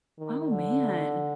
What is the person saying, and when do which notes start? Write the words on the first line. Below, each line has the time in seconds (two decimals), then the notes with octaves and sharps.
Oh, man.
0.18 D#3
0.51 D3